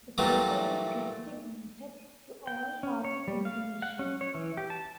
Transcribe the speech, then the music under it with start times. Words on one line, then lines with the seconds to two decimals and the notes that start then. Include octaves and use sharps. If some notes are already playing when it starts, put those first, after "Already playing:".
The paper is distributed to all parts of Indonesia.
0.18 A#2 E3 F#3 G3 A3
2.47 G5
2.83 C#4
3.05 C#5
3.28 G3
3.45 F5
3.82 F#5
3.99 C#4
4.21 C#5
4.35 E3
4.57 G4
4.70 A5